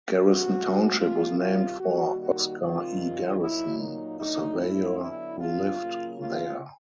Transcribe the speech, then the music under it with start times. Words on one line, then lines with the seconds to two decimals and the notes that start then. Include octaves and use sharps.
Garrison Township was named for Oscar E. Garrison, a surveyor who lived there.
0.19 C3 E3 A3 C4 F#4
1.00 C3 D#3 G3 F4
1.40 F4
1.80 D#3 G3 A#3 D#4 F#4
2.20 F#4
2.60 C3 D#3 G3 C4 D#4 F4
3.40 A#2 F#3 A#3 D#4 E4
3.80 D#4
4.19 A2 F#3 A3 D4 D#4
4.59 E4
5.00 D3 F#3 B3 D4 E4
5.40 F4
5.79 C#3 F#3 A#3
6.19 F4